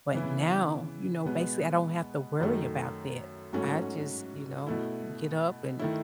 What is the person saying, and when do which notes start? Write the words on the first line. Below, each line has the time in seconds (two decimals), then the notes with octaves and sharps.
but now, you know, basically, I don't have to worry about that. I just, you know, get up and
0.13 C#3 E3 B3 E4
1.25 B2 G#3 B3
2.40 F#2 D#3 A3
3.53 G#2 F#3 A3 C#4 F#4
4.67 B2 A3 E4
5.79 D#3 A3 E4